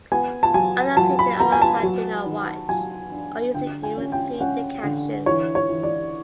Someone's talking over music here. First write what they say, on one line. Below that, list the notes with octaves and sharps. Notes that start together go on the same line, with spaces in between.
Others seated alongside do not watch, or usually even see, the captions.
B3 G#5
A5
F#3 G#5
F#3 A5
B5
B3 A#5
G#5
A5
F#3
D#3
F#3 G#5
D4
D3 G5
G#5
C#4
G5
C#4 F#5
D3
E3 C#5
C#5
E3
D5